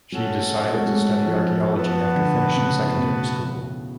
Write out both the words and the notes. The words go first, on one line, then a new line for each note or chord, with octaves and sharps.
She decided to study archaeology after finishing secondary school.
F#3 C#4 F#4 A4
A3
G#3
F#3
G#3
F3
F#3
F3 B3 F#4 B4 F#5 A5
D3
C#3
A2
B2